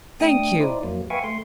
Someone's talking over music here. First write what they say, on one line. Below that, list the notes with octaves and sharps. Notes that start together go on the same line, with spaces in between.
'Thank you.
A3 D4 G5 D#6
D#4 E4 C5 D5
F2 F#3 A#3
B4 E5 F5 G5 G#5 C#6
A3 C6